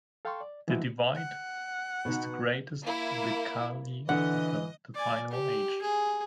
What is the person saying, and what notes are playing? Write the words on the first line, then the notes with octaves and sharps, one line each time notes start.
The divide is the greatest in the Kali Yuga, the final age.
A4 F5 G5 A5 C6 C#6
D5
E3 F3 G#3 D#4 E4 F#4
F#5
B2 B3 D#4
A#3 E4
D3 E3 D#5 F#5
D5 G#5
G4
G#4